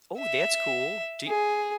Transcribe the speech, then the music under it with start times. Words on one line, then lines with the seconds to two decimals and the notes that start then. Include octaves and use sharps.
Oh, that's cool. Do y
0.18 E5
1.27 G#4